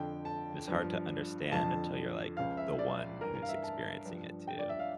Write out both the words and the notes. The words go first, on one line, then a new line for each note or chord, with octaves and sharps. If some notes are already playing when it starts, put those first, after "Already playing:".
And it's hard to understand until you're, like, the one who's experiencing it too.
Already playing: F2 D3 F3 G5
A5
G2 F3
F2 D3 F3 A5
C#2 C#3 F3 F5
E5
D5
G2 E3 A#4
A#4
F5
E5
A5
G2 F3
G5
D5
E5
F5